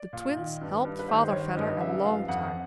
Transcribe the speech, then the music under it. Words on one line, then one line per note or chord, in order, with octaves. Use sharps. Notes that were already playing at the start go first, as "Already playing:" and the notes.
The Twins helped Father Vedder a long time.
Already playing: D5
A#2
D#3
G2
G2
B4
D#3 C5
C#5
D#3 C5
G2 D#5
C#3 E5
F3 F5
F2 F#5